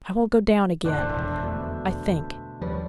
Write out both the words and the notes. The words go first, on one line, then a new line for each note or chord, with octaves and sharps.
I will go down again, I think!
F2 A2 D3 C4 D4 C5 D6 F#6
E1 E5 A5
B2 D3 A3
D#2 F3 G3 B4 C#5